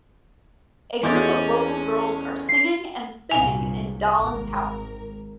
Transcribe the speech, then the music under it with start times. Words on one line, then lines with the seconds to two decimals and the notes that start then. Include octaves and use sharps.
A group of local girls are singing and spinning in Daland's house.
1.03 E2 G#3 A3 C#4 C5 D6 G6 A6
2.49 C7
3.31 C2 G2 A#2 G#5
4.17 G#1 A#4